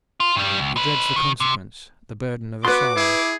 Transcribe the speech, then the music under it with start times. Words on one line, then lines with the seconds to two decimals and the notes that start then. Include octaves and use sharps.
He dreads the consequence--the burden of a soul.
0.20 F4
0.36 G2 G3
0.58 C#2
0.76 D#4 B4
1.16 D#3
1.40 C3
2.65 B3 F#4 B4 C6 D6
2.96 E4 G#4